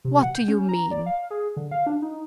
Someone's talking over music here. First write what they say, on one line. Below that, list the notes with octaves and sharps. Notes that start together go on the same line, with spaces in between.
"What do you mean?"
C3
F#5
G6
C#4
A#5
D5
F5
G#4
D3
F5
D4
D#4